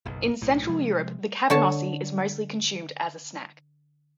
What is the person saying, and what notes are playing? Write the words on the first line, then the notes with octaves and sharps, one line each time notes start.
In central Europe, the cabanossi is mostly consumed as a snack.
F#1 B1
B1 A2
C3 F3 G#3
D3 C#5 A5